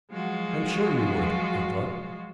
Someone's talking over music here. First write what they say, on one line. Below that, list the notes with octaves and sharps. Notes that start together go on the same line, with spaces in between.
"I'm sure you would," I thought.
F3 F#3 G#3 F4 F#4